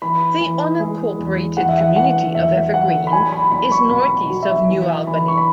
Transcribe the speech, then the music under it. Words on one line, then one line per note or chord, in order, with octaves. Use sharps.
The unincorporated community of Evergreen is northeast of New Albany.
E3 B5
E3
G#3
E2
E2 F#5
E5
F#5
E3 F#5
E1 E5
E3 F#5
B5
B1 G#5
B5
B1 B5
C#6
B2 B5
F#3
E5
E3
E3 B5
C#6
B5